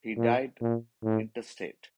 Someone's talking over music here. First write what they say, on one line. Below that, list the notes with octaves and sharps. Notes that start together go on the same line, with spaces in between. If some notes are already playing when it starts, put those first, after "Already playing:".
He died intestate.
A#2
A#2
A2